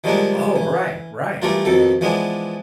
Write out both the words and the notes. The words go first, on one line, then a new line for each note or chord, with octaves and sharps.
Oh, right, right.
D#3 F3 G3 G#3 A#3 D4
E3
E3 G3 A3 D4 F4 A#4
F2 B2 D#3 A4
E3 F3 G#3 B3 D4